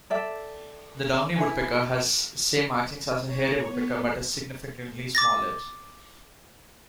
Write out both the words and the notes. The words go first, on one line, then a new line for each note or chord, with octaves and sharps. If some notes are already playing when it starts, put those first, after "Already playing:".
The downy woodpecker has same markings as the hairy woodpecker but is significantly smaller.
A4 D5 E5 G5
E4 B4 C5 G#5
C#5
B3
D6 A6 A#6